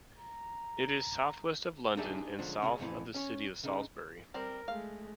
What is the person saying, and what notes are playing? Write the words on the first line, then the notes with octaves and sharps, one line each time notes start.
It is southwest of London, and south of the city of Salisbury.
A#5
D4 D#4 G4 G#4 D5 E5
C#2 D3 F3 D4
C#2 C#3 C#4
F2 A2 D#3 E3
C#4 C#5
C#3 D#4
G3 C4 A#4
G#3 A3 F5